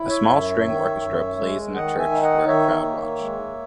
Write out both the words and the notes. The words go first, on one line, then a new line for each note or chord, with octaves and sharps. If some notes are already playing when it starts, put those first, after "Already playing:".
A small string orchestra plays in a church where a crowd watched.
Already playing: E4
C#5 E5
F#2
D#3
F#2
G#3
D#3 D#5 F#5
E5 G#5
D#4
D#5 F#5
D#3 C#5 E5
A#3
G#3